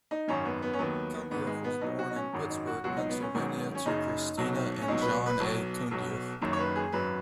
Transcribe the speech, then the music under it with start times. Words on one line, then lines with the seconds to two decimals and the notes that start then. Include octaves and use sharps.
Cundieff was born in Pittsburgh, Pennsylvania to Christina and John A. Cundieff.
0.11 D#4
0.28 G#1 F#2 D#3 C#4
0.45 B3
0.62 B3
0.73 C#4
0.79 D#2 D#3 F#3 B3
1.30 G#1 G#2 D#3 B3
1.47 G#3
1.64 B3
1.81 B1 B2 F#3 D#4
1.99 F#4
2.10 D#4
2.16 C#4
2.33 G#1 F#2 D#3 F#3
2.49 D#4
2.67 F#4
2.84 C#2 B2 F#3 F#4
2.97 D#4
3.10 B3
3.22 C#4
3.34 G#1 G#2 D#3 F#3
3.75 C#4
3.86 F#1 F#2 C#3 D#4
4.38 B1 B2 F#3
4.81 C#4
4.88 C#2 B2 F#3 D#4
5.01 B4
5.26 B4
5.40 B1 B2 F#3
5.91 B1 B2 F#3
6.41 F#1 F#2 D#3 F#3
6.53 C#5
6.59 B4
6.76 G#4
6.92 G#1 F#2 F#3 B4